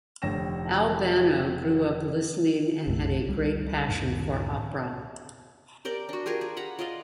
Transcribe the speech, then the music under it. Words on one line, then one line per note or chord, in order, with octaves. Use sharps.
Al Bano grew up listening and had a great passion for opera.
F1 D3 C#5 G5 A#6 E7
B1 F#2 F3 A3
C#2 G3
C#2 F#2 A2 D#3
G4 A#4 D5 G5
D4 F#4
F4 G4 G#4 A#4
G#4
F#5 A#5 B5
F4 D5 D#5 F5